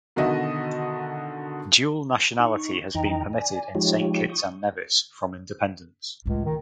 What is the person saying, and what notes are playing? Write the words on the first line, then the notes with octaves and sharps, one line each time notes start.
Dual nationality has been permitted in Saint Kitts and Nevis from independence.
B2 D3 D#3 F#4 D#5 E5
D#4 C#6
F2 E3 D#4 D#5 G5 A#5
D5 G#5
F3 G#3 D#4 F4 G4 C#5
C#6 D#6 G6
C#2 A2 C#3
D#3